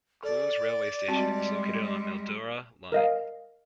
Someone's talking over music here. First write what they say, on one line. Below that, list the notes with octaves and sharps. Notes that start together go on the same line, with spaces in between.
Clunes railway station is located on the Mildura line.
A4 D5
G3 G#3 C4 F#4 A5
A#4 D#5 F5